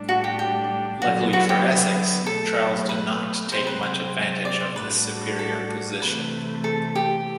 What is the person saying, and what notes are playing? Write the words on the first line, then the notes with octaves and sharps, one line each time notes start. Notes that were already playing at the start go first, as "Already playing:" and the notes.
Luckily for Essex, Charles did not take much advantage of this superior position.
Already playing: A2 G3 D4
F#4
G4
G4
D3 F#3 B3 F#4
F#4
G4
B2 F#3 A3 A4
B4
C3 F#3 C4 C5
B4
C5
D5
C5
A2 G3 D4 F#4 B4
A4
C3 E3 A3 B4
A4
G4